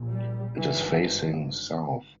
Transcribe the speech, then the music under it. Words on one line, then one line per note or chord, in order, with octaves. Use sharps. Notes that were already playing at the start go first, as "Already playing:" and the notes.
It is facing south.
Already playing: A#1 A#2
G3
G#1 G2 E3